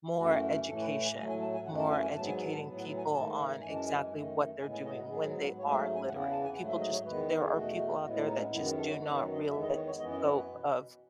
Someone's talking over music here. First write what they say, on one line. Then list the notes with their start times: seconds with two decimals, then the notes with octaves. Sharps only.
more education, more educating people on exactly what they're doing when they are littering, people just there are people out there that just do not realize the scope of
0.19 F#2 E3 A3 F#4
0.69 A2 E3 A3 A4
0.81 B4
1.05 G#5
1.18 A2 F#3 A3 G#5
1.29 G#5
1.42 A5
1.54 G#5
1.66 F#2 E3 A3 F#5
1.79 A5
1.91 G#5
2.03 G#5
2.15 G#2 F#3 B3 A5
2.28 G#5
2.53 A5
2.64 A2 F#3 B3
2.80 F#5
2.97 G#5
3.13 G#2 D#3 A3 A5
3.62 F#2 E3 G#3 G#5
3.75 A5
3.87 G#5
4.11 F#2 D#3 A3
4.61 A2 G#3 B3 G#5
4.73 G#5
4.85 D#5
4.97 F#4
5.09 G#2 F#3 B3 G#4
5.58 G#2 F#3 A3 C#5
5.71 E5
5.95 G#5
6.08 E2 C#3 E3 B3 F#5
6.20 F#5
6.31 A5
6.44 G#5
6.56 G#2 F#3 A3 F#5
6.69 E5
6.80 D#5
6.93 C#5
7.06 E2 D#3 G#3 B3 B4
7.44 G#4
7.54 E2 B2 A3 F#4
8.03 A2 G#3 B3 F#4
8.16 E4
8.27 D#4
8.40 C#4
8.52 F#2 D#3 G#3 B3 E4
8.65 F#4
8.77 A4
8.89 C#5
9.01 F#2 D#3 F#3 B3 B4
9.17 C#5
9.34 D#5
9.50 E2 D#3 G#3 B3 E5
9.62 D#5
9.75 C#5
9.87 C#5
10.00 F#2 E3 B3 D#5
10.11 D#5
10.24 C#5
10.36 B4
10.50 B2